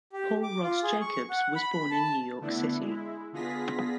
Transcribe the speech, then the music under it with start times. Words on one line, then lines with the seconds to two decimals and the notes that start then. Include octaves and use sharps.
Paul Ross Jacobs was born in New York City.
0.13 G4
0.43 D6
0.62 F4
0.83 G#4
1.01 C#6
1.30 F#5
1.56 B5
1.72 B5
1.90 A5
2.41 D3 A3 B3 D4 E4
2.79 G#3 E4
3.33 D3 B3 F4 G#4 A#6 B6